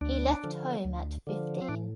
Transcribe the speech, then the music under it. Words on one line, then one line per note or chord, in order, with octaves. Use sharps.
He left home at fifteen.
D2 D4
D3 F3
D2
D3 F3
C4
A2 D4